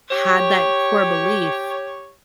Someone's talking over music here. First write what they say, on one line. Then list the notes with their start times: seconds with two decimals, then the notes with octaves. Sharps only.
had that core belief,
0.11 G4 C#5